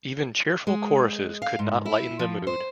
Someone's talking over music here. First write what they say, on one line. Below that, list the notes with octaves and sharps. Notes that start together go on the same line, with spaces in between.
Even cheerful choruses could not lighten the mood.
G#3
F5
G#2
E4
F3
C5